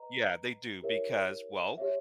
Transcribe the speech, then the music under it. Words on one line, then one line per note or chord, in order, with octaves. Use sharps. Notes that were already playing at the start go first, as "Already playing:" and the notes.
Yeah, they do, because, well,
Already playing: B4 D#5 A#5
E4 G4 A#4 C#5 E5
G4 C#5 E5